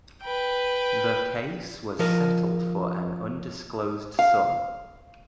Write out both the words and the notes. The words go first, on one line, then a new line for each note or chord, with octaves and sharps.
The case was settled for an undisclosed sum.
B4 G5
F3 A#4 D#5
F5